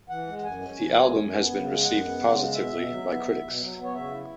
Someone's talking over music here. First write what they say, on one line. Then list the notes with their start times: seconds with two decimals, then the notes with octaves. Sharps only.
The album has been received positively by critics.
0.10 E3 F#5
0.27 G#3
0.45 F#2 G#5
0.62 C#4
0.79 E3
0.97 G#3
1.14 F#2
1.32 B3
1.49 C#3
1.67 G#3
1.84 F#2 F#5
2.02 B3
2.19 C#3
2.37 G#3
2.54 B2 E5
2.72 B2
2.89 F#3
3.07 B3
3.24 B2
3.42 B2
3.59 F#3
3.77 B3
3.83 C#5
3.94 C#3 E5
4.11 E4